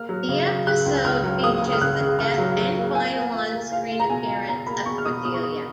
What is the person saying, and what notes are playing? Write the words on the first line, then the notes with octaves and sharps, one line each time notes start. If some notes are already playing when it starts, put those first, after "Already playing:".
The episode features the death and final onscreen appearance of Cordelia.
Already playing: A#3 F6
F#3
C#3
F#3
C#3 F#6
C#2
C#2 F6
F#3
A#3 D#6
C#3
F6
C#3 F#6
C#3
C#3 F6
F#3
F#3
A#3
F4 G#5
A#3
F4
A#3
F4 F5
F4
A#5
B2 G#5
F4
B2 A#5
A#3 B5
B2 C#6
F6
B2 D#6
B2 D#6
C#6
F4 D#6